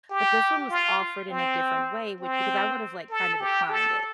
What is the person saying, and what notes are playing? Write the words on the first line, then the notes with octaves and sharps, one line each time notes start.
but this one was offered in a different way, which because I would've like kind of declined it.
G4
F4
C4
C4
A4
G4
A4